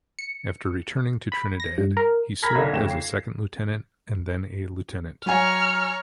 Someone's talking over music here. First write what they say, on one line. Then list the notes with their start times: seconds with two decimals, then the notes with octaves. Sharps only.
After returning to Trinidad he served as a second lieutenant and then a lieutenant.
0.19 C#7
1.32 B5
1.60 A#6
1.78 G2
1.97 A#4
2.43 A#5 B5 F6 G#6 A#6 B6
2.55 B1 D3
2.73 F2 C#3 A3 E7
2.90 C7
5.26 F#3 C#5 G#5 A#5 F6